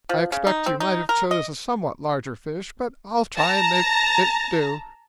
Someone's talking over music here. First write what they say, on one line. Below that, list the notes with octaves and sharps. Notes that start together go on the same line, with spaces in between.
I expect you might have chose a somewhat larger fish, but I'll try an' make it do.
F3
C#3
D#4
C4
D#4
A#4
D#5
A5 A#5 A#6